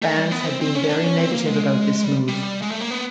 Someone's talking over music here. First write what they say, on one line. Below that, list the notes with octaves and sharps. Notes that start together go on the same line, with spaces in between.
Fans had been very negative about this move.
A3
G3
B3
C4
C4
C#4
D4
C#4
C4
A#3
G#3
G3
G3
G#3
A3
A#3
B3